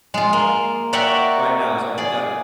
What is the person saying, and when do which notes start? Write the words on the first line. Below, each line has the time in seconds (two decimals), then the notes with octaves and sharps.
right now has already done it.
0.14 G#3 F4
0.33 A#3
0.93 F#4 A#4 D5 E5 F#5 G5
1.98 G#4 D5